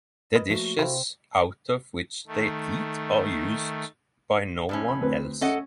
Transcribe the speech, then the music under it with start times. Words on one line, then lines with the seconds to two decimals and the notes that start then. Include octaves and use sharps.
The dishes out of which they eat are used by no one else.
0.35 A#4 B4 D#5
0.50 F3 A3 A#3 F#4
0.79 C3 A3 C4 E4 F5
2.27 D#3 A3
4.69 F2 A2 C#4
4.88 B5
5.01 D2 C4 B4
5.41 C#4 A4 D#5 F#5